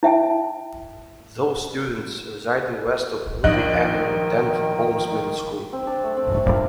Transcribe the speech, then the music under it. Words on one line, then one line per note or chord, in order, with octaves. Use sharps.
Those students residing west of Woodley Avenue attend Holmes Middle School.
E4 E5 G5 A5
A#1 D#3 D#4 F#6
C4
D4 A5
A3
C4
A3
D4 F4 A#4 A#5